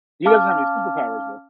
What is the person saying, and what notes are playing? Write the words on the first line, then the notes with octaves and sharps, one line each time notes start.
He doesn't have any superpowers, though.
C#4 F5 A5 D6 F6